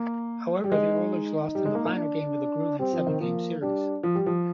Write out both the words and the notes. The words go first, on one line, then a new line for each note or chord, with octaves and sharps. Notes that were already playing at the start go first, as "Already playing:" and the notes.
However, the Oilers lost in the Final game of a gruelling seven-game series.
Already playing: A#3
G3
G#3 D#4
G3
G#3
A#3
A#3
D4
G3 C4
F3
D#3
F3 A#3
G3 D4
F3
G3
F3